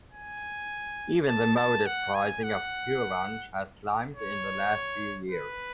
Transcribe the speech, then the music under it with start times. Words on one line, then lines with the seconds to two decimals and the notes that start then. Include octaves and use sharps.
Even the modest pricing of school lunch has climbed in the last few years.
0.13 G#5
1.28 A5
1.57 A5
1.86 F#5
2.15 G#5
2.44 F#5
4.16 C#5
5.31 B4